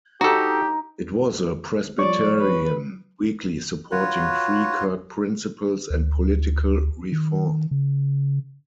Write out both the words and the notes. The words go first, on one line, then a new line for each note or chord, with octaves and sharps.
It was a Presbyterian weekly supporting Free Kirk principles and political reform.
D#4 F#4 G4 A4
F3 G3 C#5 D5 C#6
B4
F4 F#4 B4 C#5
D2
D#3
C#3